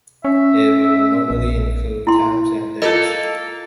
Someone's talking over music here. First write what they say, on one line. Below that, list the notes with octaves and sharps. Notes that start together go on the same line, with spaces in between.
It will normally include times and dates.
C#4 E5
A#1
E4 C6
A#3 F4 A4 D#5